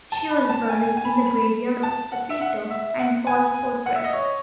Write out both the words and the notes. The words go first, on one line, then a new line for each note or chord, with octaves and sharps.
She was buried in the graveyard of the Peter and Paul Fortress.
A5
B5
A5
G#5
G#5
G#5
B5
A5
B5
A5
F#5
E5
F#5
E5
F#5
G#5
F#5
E5
D#5
C#5